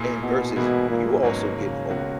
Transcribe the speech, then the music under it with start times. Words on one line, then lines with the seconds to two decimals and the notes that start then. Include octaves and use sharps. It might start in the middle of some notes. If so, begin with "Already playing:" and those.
and versus you also getting older
Already playing: A#2 A#3 E4 G#4
0.22 B2
0.55 G#2 B2 E3 A#3 E4 G#4
0.90 A#2
1.22 G#1 G#2 B2 F#3 A#3 C#4
1.57 C#3
1.90 C#2 B2 A#3 C#4 F#4